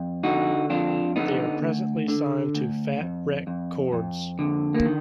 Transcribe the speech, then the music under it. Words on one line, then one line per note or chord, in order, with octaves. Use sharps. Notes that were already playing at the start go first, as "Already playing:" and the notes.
They are presently signed to Fat Wreck Chords.
Already playing: F2
D3 D#4 F#4
F2 D4 F4
D3 B3 D#4
D2
D3
D2
F2
F2
F2
D3
A#3
D#3